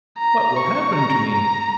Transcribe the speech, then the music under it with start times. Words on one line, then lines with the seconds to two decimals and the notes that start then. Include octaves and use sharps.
What will happen to me?
0.18 A#5
0.57 C#6
0.95 A#5
1.33 A#5